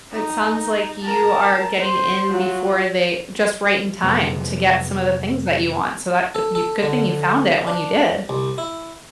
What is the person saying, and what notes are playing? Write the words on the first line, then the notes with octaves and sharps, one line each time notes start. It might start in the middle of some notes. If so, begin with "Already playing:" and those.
It sounds like you are getting in before they just right in time to get some of the things that you want, so that, you good thing you found it when you did.
D#4
A#4 A5
C5
F#3 F4
F2 C3 F#3 G#3 B3 C4
A4
A4
D3
D4
C2
E4